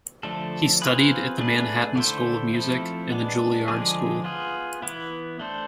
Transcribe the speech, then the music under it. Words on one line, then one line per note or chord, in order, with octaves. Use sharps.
He studied at the Manhattan School of Music and the Juilliard School.
D3 F3 A3 D4 A4
C4 F4 G#4 B4
A3 D4 G#4 B4
D3 A3 E4 A4 C5
F3 A3 C4 E4 A4
G#3 B3 D4
D3 F3 G#3 D4 G#4
B3 F4 G#4
E3 B3 E4
A3 D4 A4 C5